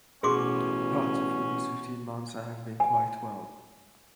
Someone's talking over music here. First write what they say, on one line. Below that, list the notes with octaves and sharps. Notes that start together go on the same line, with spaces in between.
But for these fifteen months I have been quite well.
A1 B2 C#4 G#4 C6 D6
G#5